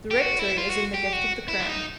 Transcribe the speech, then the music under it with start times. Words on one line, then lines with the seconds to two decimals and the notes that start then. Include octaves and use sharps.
The rectory is in the gift of the crown.
0.11 G4
0.21 F#4
0.39 E4
0.58 F4
0.70 F#4
0.94 G4
1.13 F#4
1.48 E4
1.59 D4
1.67 D#4